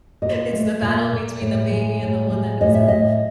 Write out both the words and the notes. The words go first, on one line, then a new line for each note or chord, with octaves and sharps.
It's the battle between the baby and the one that knows it all.
A#2 D#5
A3
A#2
A#2
A2
G#3
A2
G#3
A2 D#5
E5
A2 D#5